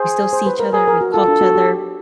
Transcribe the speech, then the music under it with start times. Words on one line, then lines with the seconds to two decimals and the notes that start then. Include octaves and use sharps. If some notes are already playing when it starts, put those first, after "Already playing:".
We still see each other, we call each other,
Already playing: G#4 C5
0.33 C5
0.46 B4
0.59 A#4
0.73 G#4 A#4
0.87 A#4
1.01 F#4
1.14 F4 A4
1.28 D4
1.41 F#4
1.55 G4